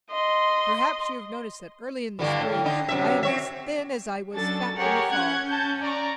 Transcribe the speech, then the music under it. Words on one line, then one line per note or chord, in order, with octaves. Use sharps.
Perhaps you have noticed that early in the spring I am as thin as I was fat in the fall.
D#5 C6
G2 D3 E3
A2
D3 D#4
F#2 C3 E5
C4 C#5 E5
F#3 C#4 D4 A4 A6
G4 G#4 A#4 C#5 F#5
C#4 F#5 F#6 G#6
A5 G6
D5 A#5 C#6